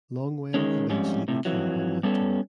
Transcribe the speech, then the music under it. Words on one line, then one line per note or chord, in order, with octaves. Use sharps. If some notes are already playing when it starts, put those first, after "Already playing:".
Longwell eventually became her mentor.
D#3 G#3 C#4
F2 G#2 G3 C#4
A2 C3
F2 E3 F#3
G3 B3 C#4 A4